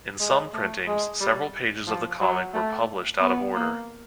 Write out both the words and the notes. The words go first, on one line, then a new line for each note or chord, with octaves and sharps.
In some printings, several pages of the comic were published out of order.
G#3
A3
G#3
G3
F3
F#3
A3
B3
A#3